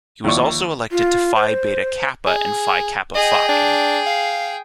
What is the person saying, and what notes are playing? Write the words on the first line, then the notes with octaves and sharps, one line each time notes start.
He was also elected to Phi Beta Kappa and Phi Kappa Phi.
D#2 F3 E4 D5 C#6
F4
C5
G#4
G#4 D#5 G5
D4
F5